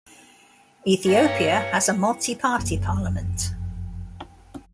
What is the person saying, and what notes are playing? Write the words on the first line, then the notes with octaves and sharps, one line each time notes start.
Ethiopia has a multi-party parliament.
G2 A#3 C#4 G4 C#5
F#1 F2